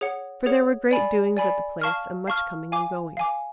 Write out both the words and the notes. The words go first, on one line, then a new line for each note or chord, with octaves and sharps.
For there were great doings at the Place and much coming and going.
G#4 C#5 F#5
G#4 C#5 F#5
D5 G#5 B5
D5 G#5 B5
F5 A5 C#6 F6
F5 A5 C#6 F6
F5 G#5 D6
F5 G#5 D6